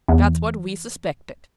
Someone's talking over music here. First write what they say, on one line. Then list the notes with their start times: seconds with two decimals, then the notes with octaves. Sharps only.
That's what we suspected.
0.08 E2